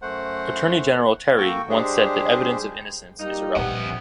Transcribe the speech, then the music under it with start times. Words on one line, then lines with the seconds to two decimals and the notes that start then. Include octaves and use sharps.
Attorney General Terry once said that Evidence of innocence is irrelevant.
0.02 F#2 A3 C5 F#5
1.38 A#3 F#4 A4 G5 C#6
1.69 G3 G#3 D4 G4 G#4 C5
3.18 G3 A#3 D#4
3.56 A#1 F2 C3 B3 D4 F#5